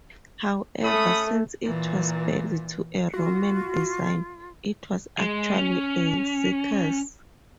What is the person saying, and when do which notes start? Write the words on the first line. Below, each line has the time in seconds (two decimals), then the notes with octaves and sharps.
However, since it was built to a Roman design, it was actually a circus.
0.84 A3 C#4 B5 D#6
1.64 A#2 E3
3.14 F4 F#4
5.18 G#3
5.58 C#4